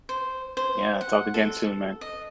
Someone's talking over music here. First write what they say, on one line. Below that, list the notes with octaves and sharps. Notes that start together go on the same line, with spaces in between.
Yeah, talk again soon, man.
C5
C5
F#5
A4
D#5